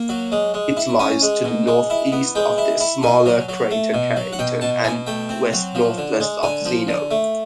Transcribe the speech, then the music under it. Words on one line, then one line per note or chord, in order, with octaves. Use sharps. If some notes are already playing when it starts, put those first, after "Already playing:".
It lies to the northeast of the smaller crater Carrington, and west-northwest of Zeno.
Already playing: A#3
F#3
G#3
G#3
E4
C#4 G#5
G#3
B2
G#3
E4
B3
G#3 G5
E4
E4
B2 G#5
F#3
F#3
A3
B2
F#3
F#5
B2 G5
B2 A5
B2 G#5
A3 G5
C4
F#3
F3
D3
G#3
D3 G#5
F3
D3
A3